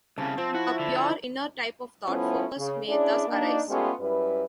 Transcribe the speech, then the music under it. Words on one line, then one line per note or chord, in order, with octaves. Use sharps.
A pure, inner type of thought focus may thus arise.
C2 C#3 A5
F3 C4
E4 F#4
D3
F3 A3 B3 C#4 E4
C#3
C#4 D4 E4 G#4 D5
A#3 D4 D#4
G#3 A3 B3 C#4 F4 G4
F#2 G3 E4 B4